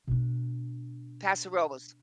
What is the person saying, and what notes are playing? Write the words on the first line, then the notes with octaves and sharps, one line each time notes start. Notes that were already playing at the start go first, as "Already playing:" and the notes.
Paso Robles.
B2 D4